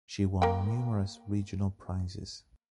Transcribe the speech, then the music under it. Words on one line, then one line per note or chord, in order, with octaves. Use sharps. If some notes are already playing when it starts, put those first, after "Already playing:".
She won numerous regional prizes.
A#3 G5